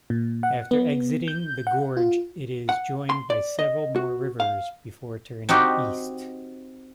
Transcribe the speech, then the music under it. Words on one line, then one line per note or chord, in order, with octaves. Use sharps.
After exiting the gorge it is joined by several more rivers before turning East.
A#2
F#5
B3
G6
F#5
F4
F#5
C6
D5
D#5
F#4
F5
C4 D#4 F#4 G4 D5